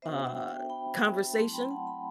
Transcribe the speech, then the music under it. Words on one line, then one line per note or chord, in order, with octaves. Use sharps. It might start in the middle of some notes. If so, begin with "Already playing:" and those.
uh, conversation,
B3 D4 F#4 C5 E5
E5 G5
E5 G5
G5 B5
F#3 A3 C4 E4 A5 C6
G5 B5
F#5 A5
G5 B5